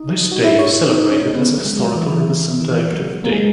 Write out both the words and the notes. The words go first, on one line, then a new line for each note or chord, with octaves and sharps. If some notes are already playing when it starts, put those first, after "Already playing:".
This day is celebrated as a historical representative day.
Already playing: D#4
F#4
E4
C#5
C#5
D#4
D#4
C#4
B3
F#3
G#3
F#3
E3
E3
D#3
E3
F#3
A#3
G#3